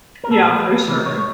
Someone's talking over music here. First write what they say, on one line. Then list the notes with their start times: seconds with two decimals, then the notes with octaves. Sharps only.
Yeah, for sure.
0.24 A#4
0.30 A#2 A4
0.49 F3 A3 B4
0.68 E2
0.87 C3 E3 A3
1.05 A2 C#5